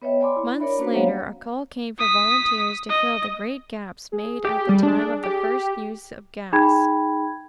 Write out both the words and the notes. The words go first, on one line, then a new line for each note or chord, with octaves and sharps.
Months later a call came for volunteers, to fill the great gaps made at the time of the first use of gas.
B3 B4 C#5 D#5 E5 G5
C#5 D5 G#5 B5 C6 D6
E4
D4 A#4 C#5 D5 E5 B5
A#3 C#4 D4 F#4 B4 C5
F#3 A#3 B3 C#5 F5 F#5
D#6 B6
D#5
G#4
G4
G3
D4
G4
D#4 G#4 G5 B5 G#6